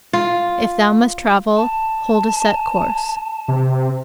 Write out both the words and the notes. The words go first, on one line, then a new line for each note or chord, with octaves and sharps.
If thou must travel, hold a set course.
F4
A5
C3